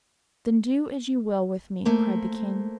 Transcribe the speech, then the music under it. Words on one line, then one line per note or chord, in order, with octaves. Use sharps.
"Then do as you will with me!" cried the king.
A3 A#3 C5